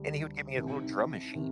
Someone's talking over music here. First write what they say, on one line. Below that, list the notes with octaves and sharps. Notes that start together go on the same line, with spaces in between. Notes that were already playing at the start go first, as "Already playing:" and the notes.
and he would give me a little drum machine.
Already playing: D2 D3 G3
C2 C3 D#3
C3 D#3